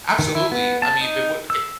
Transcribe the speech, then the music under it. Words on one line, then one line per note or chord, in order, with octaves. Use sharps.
Absolutely, I mean, but what okay.
D#3
E4
B3
A5
D#4
E6